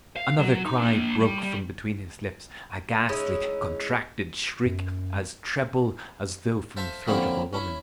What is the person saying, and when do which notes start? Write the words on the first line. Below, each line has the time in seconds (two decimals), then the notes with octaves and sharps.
Another cry broke from between his lips, a ghastly contracted shriek as treble as though from the throat of a woman.
0.16 F5
0.39 F#3
0.65 D#4
0.79 A#3 D4
1.20 G3
1.43 G3
3.09 G#3 C#4 D#4 E4
4.66 F#2
6.77 A4 C5 E5 F5 A5
7.07 D3 F3 A#3 C4 C#4 E4
7.53 C#4 E4